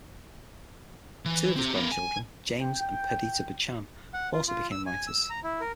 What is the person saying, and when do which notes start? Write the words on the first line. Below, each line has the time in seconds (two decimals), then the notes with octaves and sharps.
Two of his grandchildren, James and Perdita Buchan, also became writers.
1.25 E3
1.56 C4 G4
1.74 B3 A#4
1.92 G#5
2.60 G5
4.14 F#5
4.33 F4
4.48 F4
4.72 E6
4.86 G#5
5.07 E6
5.30 A#5
5.43 E4
5.61 A#4